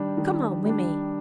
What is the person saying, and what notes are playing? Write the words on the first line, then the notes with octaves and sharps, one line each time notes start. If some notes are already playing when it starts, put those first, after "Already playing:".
Come home with me.
Already playing: D#3 G3 D4
D#3
G3 D4